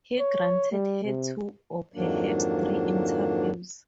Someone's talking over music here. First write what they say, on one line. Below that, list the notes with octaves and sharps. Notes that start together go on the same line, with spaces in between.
He granted her two or, perhaps, three interviews.
C#5
G3
C3
F2 G#2 D#3 F#3 A#3 D4